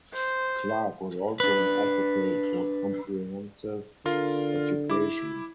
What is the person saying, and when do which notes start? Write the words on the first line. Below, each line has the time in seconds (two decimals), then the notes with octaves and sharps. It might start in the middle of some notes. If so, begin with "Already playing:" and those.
Clarke was also an advocate for comprehensive education.
0.14 C5
1.40 D4 B4
4.06 D3 F4 A#4 C6
4.90 E4 D6